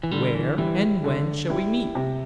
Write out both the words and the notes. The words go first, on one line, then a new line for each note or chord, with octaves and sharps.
Where and when shall we meet?
E3
D3 G3
E3
E3 G3 E4
D3
G3 E4
C3